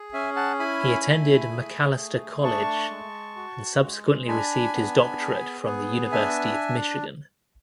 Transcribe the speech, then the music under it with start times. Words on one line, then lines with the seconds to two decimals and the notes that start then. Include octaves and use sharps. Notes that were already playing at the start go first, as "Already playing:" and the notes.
He attended Macalester College and subsequently received his doctorate from the University of Michigan.
Already playing: G#4
0.13 C#4 E5 G#5
0.36 F#5 A5
0.59 E4 G#5 B5
1.06 A3
1.51 G#4
1.98 A3
2.44 D4 A5 C#6
2.90 G#3
3.36 F#4
3.82 G#3
4.28 D4 G#5 B5
4.74 B3
5.20 G#4
5.66 B3
6.12 D4 E5 G#5